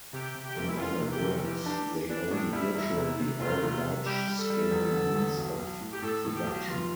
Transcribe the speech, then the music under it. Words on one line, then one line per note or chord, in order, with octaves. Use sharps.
In other words, they own virtually all large-scale means of production.
C3 G4
C3
G4
F1
E4
E3 F4
C3
G4
F1
E3 G4
D4
E3
E3 D4
A2 D4
G3 E4
E1 E4
C3
C3
E1 F4
C3
C3
G3 G4
G3
A4
G3
E2
D3
E2
B1
B1
A2
G4
A2 A4
A2
G4
B1
F1 F4